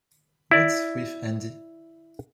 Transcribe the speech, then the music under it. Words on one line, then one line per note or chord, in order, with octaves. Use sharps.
What's with Andy?
E4 D5